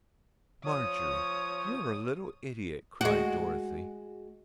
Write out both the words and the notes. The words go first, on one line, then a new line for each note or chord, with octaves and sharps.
"Marjorie, you're a little idiot," cried Dorothy.
F3 C5 C#5 D#6
G#3 F#4